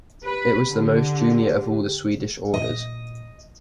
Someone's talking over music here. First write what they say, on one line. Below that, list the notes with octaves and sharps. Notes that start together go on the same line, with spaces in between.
It was the most junior of all the Swedish orders.
G4 B4
D3
A#2 D#5